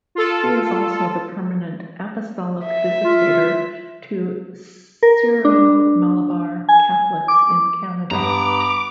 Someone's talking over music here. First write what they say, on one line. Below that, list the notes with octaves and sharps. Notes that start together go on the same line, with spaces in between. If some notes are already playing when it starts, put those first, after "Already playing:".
He is also the permanent Apostolic Visitator to Syro-Malabar Catholics in Canada.
F4 A4
E5
F4
A#4
D4
G#5
D6
G2 B3 A#5 D6